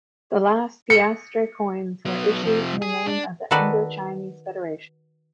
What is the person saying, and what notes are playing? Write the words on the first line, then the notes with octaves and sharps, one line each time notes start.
The last piastre coins were issued in the name of the "Indochinese Federation".
C#7
F#3 B3
C3 F3
G#4
D4
D#3 F#4 A4 B4 D5